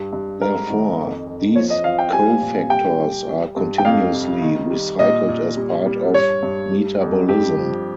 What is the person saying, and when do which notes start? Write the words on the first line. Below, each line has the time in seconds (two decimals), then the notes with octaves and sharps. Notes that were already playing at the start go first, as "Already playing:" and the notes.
Therefore, these cofactors are continuously recycled as part of metabolism.
Already playing: G2 G3
0.13 G2
0.41 G#2 A#4
0.70 D#3
0.98 F2
1.27 F2
1.55 F3 C#5
1.70 D#5
1.84 F3 F5
1.99 G5
2.13 G3 G#5
2.42 A#2
2.70 G3 G5
2.99 G3
3.27 G3
3.56 G2
3.78 G5
3.85 F2 F5
4.13 C3
4.42 D#3
4.70 G3
4.99 A#2 D#5
5.28 A#2
5.57 G3
5.86 G3
6.14 G2 C#5
6.43 G2
6.72 G3
7.01 F2
7.29 G2 G4
7.58 F3